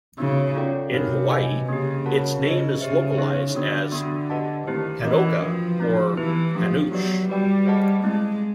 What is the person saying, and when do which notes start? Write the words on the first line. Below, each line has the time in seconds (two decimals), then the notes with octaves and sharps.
In Hawaii, its name is localized as "panocha" or panuche.
0.18 C#3 B3 D#4 F#4
0.55 C#4 F4 A4 D5 G5
0.93 C3 D#4 F#4 A#4 C#5 F5
1.30 F#4 B4 D#5 G#5
1.68 C#3 A#3 D4 G4
2.06 F#4 A#4 C#5 F#5 A5
2.43 C#3 G#4 B4 D#5
2.80 C#3 G4 C5 E5
3.18 B3 D#4 G#4 C#5 F5
3.55 D3 B3 D4 F#4
3.92 B3 D4 F#4
4.30 G4 B4 D#5 F#5 A5
4.67 D#3 A3 C4 E4 G4 C5
5.04 E3 A3 C#4 F#4 A#4 D#5
5.42 F3 D4 F#4 B4
5.80 A3 C4 D#4 F#4
6.17 E3 B3 E4 G4 B4
6.54 F3 A3 D4 G4
6.92 F#3 B3 D4 G4 B4 D5
7.29 G3 F#4 B4 D5 G5
7.66 G#4 C5 D#5 F#5 A5
8.03 G#3 A3 C4 E4